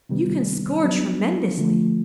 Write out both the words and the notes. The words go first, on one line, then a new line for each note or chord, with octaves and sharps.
You can score tremendously.
C3 D#3 G3 B3
F#3 B3 D4
D3 F3 A3